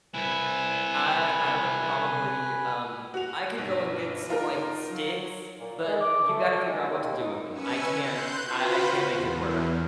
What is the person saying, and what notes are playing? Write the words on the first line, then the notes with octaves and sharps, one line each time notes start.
I I would probably, um, I could go and get some, like, sticks, but you gotta figure out what to do with them. I can't I I can't make it work.
C2 E4 B4 G#5
F#4 F7
B1 G2
D#4 F4 A#4
F#3
A#2
G#3
D6
A3
F#3
G#3
D#2
D#4
C#4 B4 G#5 E6 C#7
C6 F#6 G6
F4 F#4 B4 C5 B5
E2